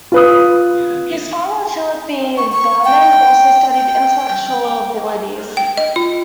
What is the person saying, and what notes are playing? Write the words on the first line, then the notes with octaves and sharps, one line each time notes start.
His father Philip E. Vernon also studied intellectual abilities.
F4 B4 D#6
C#6
C#6
G5
G5
G5
D#5
F4